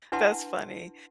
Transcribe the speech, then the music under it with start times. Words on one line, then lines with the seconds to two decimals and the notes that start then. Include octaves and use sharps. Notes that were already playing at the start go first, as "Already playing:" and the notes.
that's funny,
0.12 D4 E4 B4 F#5 A5 C6